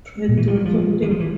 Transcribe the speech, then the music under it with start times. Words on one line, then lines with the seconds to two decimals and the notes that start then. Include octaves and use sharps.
Try doing something.
0.28 A#2
0.37 E3
0.47 F3
0.55 F#3
0.65 F3
1.02 E3
1.11 F3
1.20 E3